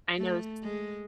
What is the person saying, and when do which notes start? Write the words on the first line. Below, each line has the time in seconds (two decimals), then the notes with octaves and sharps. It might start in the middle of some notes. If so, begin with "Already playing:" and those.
I know s
0.19 A3
0.63 G#3